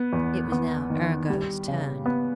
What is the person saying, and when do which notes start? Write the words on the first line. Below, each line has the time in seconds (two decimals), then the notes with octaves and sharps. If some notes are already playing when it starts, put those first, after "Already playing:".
It was now Arago's turn.
Already playing: B3
0.13 E2
0.52 B3
0.90 D#3
1.30 G3
1.68 C#3
2.06 B3